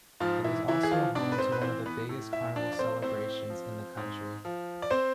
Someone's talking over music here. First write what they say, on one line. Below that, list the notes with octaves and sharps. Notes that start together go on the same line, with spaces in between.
It is also home to one of the biggest carnival celebrations in the country.
G#2 F3 F4
E3 E4
E3 E4
G#4
F3 F4
G#2 D4 D5
B4
C4 C5
B4
E3 C4 C5
B3 B4
A2
E4 E5
F3 D4 D5
D5
C4 C5
A2 C4 C5
F3
G#2
F3
D5
C4 C5